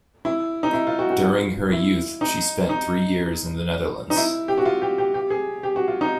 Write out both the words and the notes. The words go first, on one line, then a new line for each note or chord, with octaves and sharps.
During her youth she spent three years in the Netherlands.
E4
D#4
E4
F4
F#4
F#4
F4
E4
D#4
D#4
D#4
E4
G4
F#4
F4
G4
G4
G4
G#4
G4
F#4
F4
D#4